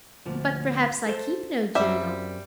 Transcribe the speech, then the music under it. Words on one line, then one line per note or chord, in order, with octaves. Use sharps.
"But, perhaps, I keep no journal."
D2 A#2 F3
A4 C5
F#2 G3 C4 E5